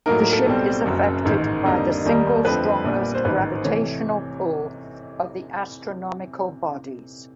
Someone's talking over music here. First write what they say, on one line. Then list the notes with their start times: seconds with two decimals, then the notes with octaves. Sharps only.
The ship is affected by the single strongest gravitational pull of the astronomical bodies.
0.06 A2 F#3 A#3 D#4 A#4
0.20 A#4
0.33 A4
0.46 B1 B2 G3 C4
0.86 F#1 F#2 C#3 F#3
1.25 A1 G#2 D#3
1.65 F2 D3 G3 A#3 D#4
2.05 D#2 D#3 G3 A#3 D#4
2.45 F2 D3 F3 A3 C4 B4
2.84 A#1 A#2 G3 B3 D4
3.15 C5
3.25 A1 G#2 D#3 B4
3.55 C5
3.64 C3 E3 A3 C#5